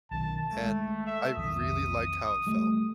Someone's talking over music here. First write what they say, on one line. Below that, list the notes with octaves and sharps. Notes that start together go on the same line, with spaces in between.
and I really liked how it felt.
B1 D#3 A5
G#3 A3
E5
B1 F2 D#3 D#6
G3 A3